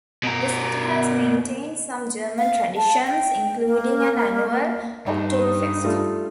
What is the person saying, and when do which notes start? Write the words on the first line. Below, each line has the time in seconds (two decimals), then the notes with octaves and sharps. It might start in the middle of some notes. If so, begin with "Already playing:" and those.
The city has maintained some German traditions, including an annual Oktoberfest.
0.23 B2 A#4
2.38 F5
2.76 A5
3.07 G5
3.66 A#3
5.06 G2 D#4
5.42 D#6
5.84 G3 A3 F4